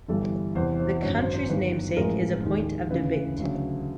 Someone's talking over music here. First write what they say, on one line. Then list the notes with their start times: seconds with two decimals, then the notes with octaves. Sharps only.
The county's namesake is a point of debate.
0.08 G1 G2 E3 G3 A4
0.55 E2 C3 E3 C5
0.79 C5
1.02 G#1 F#2 D3 F#3 C#5
1.18 C5
1.34 C5
1.49 G1 G2 D#3 F#3 B4
1.97 A1 A2 F3 G#3 A#4
2.44 D#2 D#3 G#3
2.90 D2 C#3 E3 B4
3.37 D2 C#3 F#3